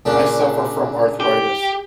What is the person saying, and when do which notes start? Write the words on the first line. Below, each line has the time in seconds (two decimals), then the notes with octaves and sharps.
I suffer from arthritis.
0.05 A#2 C#3 D4
1.20 G4